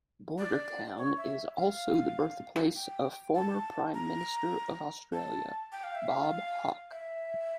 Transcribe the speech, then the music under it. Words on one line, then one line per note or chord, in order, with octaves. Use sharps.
Bordertown is also the birthplace of former Prime Minister of Australia, Bob Hawke.
D5
C#5
E5
F5
G5
A5
A#5
A5
G5
F5
E5
F5
E5